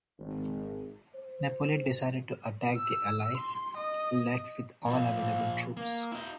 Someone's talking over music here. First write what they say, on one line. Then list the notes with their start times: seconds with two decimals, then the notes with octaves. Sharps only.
Napoleon decided to attack the allies' left with all available troops.
0.19 G#1
1.15 C5
2.75 E6
3.37 C6
3.77 D#5
4.86 A#2 F3
5.77 A#3
6.12 E4 D#5